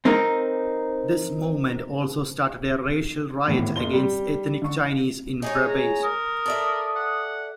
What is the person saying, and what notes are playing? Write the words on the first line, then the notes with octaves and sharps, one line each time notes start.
This movement also started a racial riot against ethnic Chinese in Brebes.
C4 D#4 A#4
G#1 E2 A2
F#1 C6 G7
G3
D3 C#6
G#3 D#4 G#4 C#5
A#5
A#4 D#6
A4 D5 E5
F#5